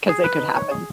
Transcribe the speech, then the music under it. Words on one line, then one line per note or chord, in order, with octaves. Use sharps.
'Cause it could happen.
G#4
B4
D#4
C#5
G#4